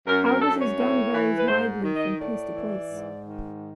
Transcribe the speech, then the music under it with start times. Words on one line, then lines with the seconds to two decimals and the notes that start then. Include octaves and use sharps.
How this is done varies widely from place to place.
0.06 F#2 A#4
0.25 A#4
0.42 F#2 A4
0.60 C#5
0.78 A2
1.14 E3
1.38 B4
1.48 G#2 C5
1.84 D#3
1.96 D#5
2.19 A2 D5
2.55 E3
2.90 G#2
3.26 D#3